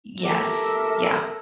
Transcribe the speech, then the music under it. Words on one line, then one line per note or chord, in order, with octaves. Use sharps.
Yes. Yeah.
G4 A4 A#4 E5